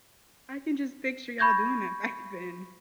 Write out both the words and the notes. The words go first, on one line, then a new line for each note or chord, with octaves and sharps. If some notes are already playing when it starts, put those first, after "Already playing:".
I can just picture y'all doing that back then
B5 C#6 G6 G#6 A#6